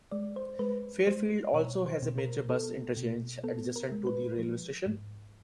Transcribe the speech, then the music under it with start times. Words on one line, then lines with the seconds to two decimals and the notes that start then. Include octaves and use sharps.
Fairfield also has a major bus interchange adjacent to the railway station.
0.12 G#3 D5
0.36 C5
0.59 G#3 B4
1.07 G#3 C5
1.54 B2 C#5
1.86 C5
2.02 B2
2.18 A#4
2.49 B3 A4
2.97 B2
3.44 B3 A4
3.76 A#4
3.92 G#3
4.07 B4
4.39 F3
4.86 G#2